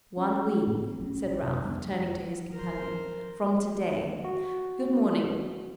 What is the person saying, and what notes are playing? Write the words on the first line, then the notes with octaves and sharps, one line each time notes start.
'One week,' said Ralph, turning to his companion, 'from today. Good-morning.
C#4
A2 A3 C4
A#1 F#3 C4 C#4
F#2 C3
F2 G3 B3 D4
A#4 C5
F#4